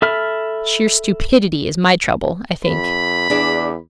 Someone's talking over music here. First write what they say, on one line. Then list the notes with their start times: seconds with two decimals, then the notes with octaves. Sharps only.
Sheer stupidity is my trouble, I think.'
0.02 A4 E5 B5 F6
2.66 F2 B5
3.30 E2 D4 G#4 D5